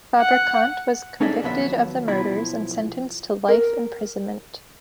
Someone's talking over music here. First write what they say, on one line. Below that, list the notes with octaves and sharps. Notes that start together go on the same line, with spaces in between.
Fabrikant was convicted of the murders and sentenced to life imprisonment.
F#5
C#4 D#4 G#4 A4 D5 E5
D#2 F3 F#3 B3 E5
B1 B2 F3 E4 B5
A#4